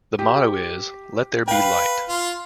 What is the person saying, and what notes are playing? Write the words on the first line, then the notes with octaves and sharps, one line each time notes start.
The motto is "Let there be Light".
G4
B4 F5 G5
F4